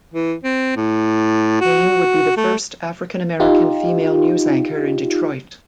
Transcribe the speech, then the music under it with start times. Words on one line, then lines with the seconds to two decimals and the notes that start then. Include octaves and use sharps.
Payne would be the first African-American female news anchor in Detroit.
0.14 E3
0.43 C4
0.76 A2
1.61 F#4
2.37 A3
3.40 D#4 F4 G4